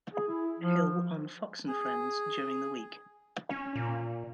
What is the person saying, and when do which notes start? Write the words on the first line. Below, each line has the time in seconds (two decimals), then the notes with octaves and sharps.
Hill on "Fox and Friends" during the week.
0.13 G#4
0.28 E4
0.59 F3
1.68 G#4
3.50 C#4
3.76 A#2